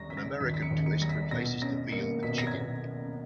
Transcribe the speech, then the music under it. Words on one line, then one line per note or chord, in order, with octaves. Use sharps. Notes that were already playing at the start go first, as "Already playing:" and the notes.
An American twist replaces the veal with chicken.
Already playing: D#2 G3 C#6 A#6
C#3 B6
A#6
D#2 B6
B6
C#7
D#2
C#7
G3 A#6
B6
B2 A#6
C#4 A#6
A#3 C#7
B2 B6
A#6
G#6
B2